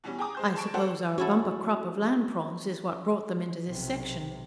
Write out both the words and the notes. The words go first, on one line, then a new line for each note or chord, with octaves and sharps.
"I suppose our bumper crop of land-prawns is what brought them into this section?"
B2 E3 G3 C#4
G#4 G5 G#5 A#5 D6 D#6
G#3 C5 G6
A5 C#6 D7
F#4 A4 C5 C#5 F#5 G5
C#4 E4 F#4 A4
B1 C3